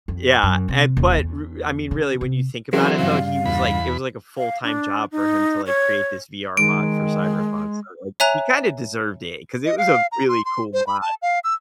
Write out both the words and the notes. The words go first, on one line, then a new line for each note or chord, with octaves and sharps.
Yeah, and, but r I mean, really, when you think about it though, he was, like it was, like, a full-time job for him to, like, create this VR mod for Cyberpunk, so he kinda deserved it, 'cause it was a really cool mod.
F2
F#2
C3
D#1
E2
C#3
C3
E3 F#3 C4 C#4 F#4 G#4 A#4
G2 C#3 F5
E2 B5
F5
D4
D#4
C#5
D#3 G#3 D7
C#5 E5 G#5 A#5 F#6 F7
D#5
F5
A#5
C6
C6
C5
B5
A5
F5
E6